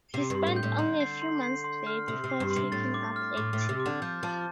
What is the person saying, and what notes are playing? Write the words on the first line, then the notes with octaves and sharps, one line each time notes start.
He spent only a few months there before taking-up acting.
C3 C7
G2 C6
A2
G6
A2
D3 C6
C7
C6
C7
C6
F6
C3 C6
C3
C7
G2
C6
C3
A2 A6
D6
F6
A2 D6
A2
A6
C3
D6
D3
F3 G6
F3 A5